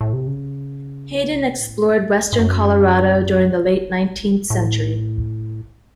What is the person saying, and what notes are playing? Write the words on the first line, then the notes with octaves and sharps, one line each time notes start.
Hayden explored western Colorado during the late nineteenth century.
A2
C3
C#3
C3
A2
G#2
G#2
F#2
A2